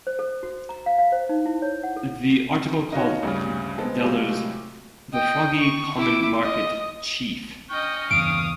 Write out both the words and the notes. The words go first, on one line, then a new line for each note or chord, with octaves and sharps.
The article called Delors "the Froggie Common Market chief".
C5
A4
F#4
A#5
F5
F5
C5
D#4
E4
C#5
F#5
A4
D#4 F4 F#4 C#5
D2 G2 C#3
G#3 B3 C4 A4
A2 C3 F#3 G#3 F4
D#5 G5
C#6
E4 D6
D#5
D#5 G5 C#6 F6
E2 G2 C#3 F5 D#6 D7